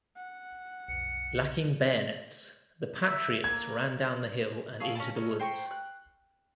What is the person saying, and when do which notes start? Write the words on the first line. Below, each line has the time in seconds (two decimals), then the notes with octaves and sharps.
Lacking bayonets, the Patriots ran down the hill and into the woods.
0.16 F#5
0.88 B1 F2 C#7
3.04 E5
3.44 A#3 G#6
4.80 G#4 A4 C#5 F5
4.95 C#4 D#5 G#5 A5
5.16 C#4 D#4 A4 C#5
5.40 C5 G5 A#5 C#6
5.71 F#6